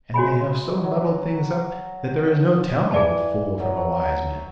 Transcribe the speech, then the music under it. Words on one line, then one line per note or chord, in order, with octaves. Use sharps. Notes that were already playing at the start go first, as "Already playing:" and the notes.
And they have so muddled things up that there is no telling a fool from a wise man.
G#3 F#4 C#5 G#5 B5
F#3
E3 G#4 D5 A5
F#3